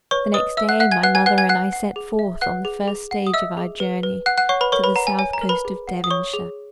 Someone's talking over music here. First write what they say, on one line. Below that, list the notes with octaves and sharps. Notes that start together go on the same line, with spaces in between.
The next day my mother and I set forth on the first stage of our journey to the south coast of Devonshire.
B4 C#5 C#6
B4 D#5 D#6
E5 E6
F#5 F#6
E5 F#5 F#6
G#5 G#6
B4 F#5 F#6
G#5 G#6
B4 F#5 F#6
G#5 G#6
F#5 F#6
F#5
G#4
E5
B4 F#5 F#6
G#4
G#4
F#5
D#6
D#5 E5 E6
G#4
B4
B4
F#5 F#6
F#5 F#6
C#5 F#5 C#6
B4 B5
A#4 C#5 C#6
B4 B5
F#5 A#5
G#5
C#5 G#5
A#5
A#4
B4 B5
G#4
F#5
D#6
C#5 C#6
G#4